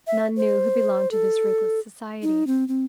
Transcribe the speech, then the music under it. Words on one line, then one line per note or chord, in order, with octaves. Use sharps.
None knew who belonged to this ruthless society.
E5
C5
A4
D#4
C4
C4